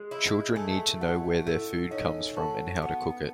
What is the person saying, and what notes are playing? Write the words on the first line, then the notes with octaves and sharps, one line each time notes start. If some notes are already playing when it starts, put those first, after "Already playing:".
Children need to know where their food comes from and how to cook it.
Already playing: G#3
E4
A3 G#5
A5
G#4 G#5
A3 F#4 F#5
A3 E4 E5
C#4 D#4 D#5
F#4 A4 A5
B3